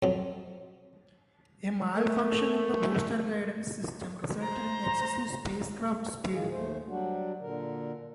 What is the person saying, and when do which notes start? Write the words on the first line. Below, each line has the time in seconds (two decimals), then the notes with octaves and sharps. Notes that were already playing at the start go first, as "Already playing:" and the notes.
A malfunction in the booster guidance system resulted in excessive spacecraft speed.
0.03 F2 F#3
1.96 A3 A#4
4.41 C5 A#5
6.30 A2 D#3 G#3 F4 G#4
6.51 D#2 A3 C5
6.88 F#3 G3 D4 F#4
7.42 A#2 D3 A#4